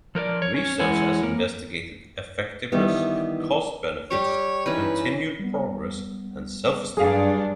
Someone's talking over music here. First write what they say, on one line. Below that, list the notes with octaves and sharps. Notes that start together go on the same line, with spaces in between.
Research has investigated effectiveness, cost benefits, continued progress and self-esteem.
F3 A#4 B4 D5
C#5
C#4 C#5
E3 G#3 E4 C#5 F#5 G#5
A#3 A#4
D#3 E3 G3 B3
G3 G4 C#5 D6
E3 C#4 D#4 B4
G3 B3
G2 F#3 D4 G#4 F5 D#6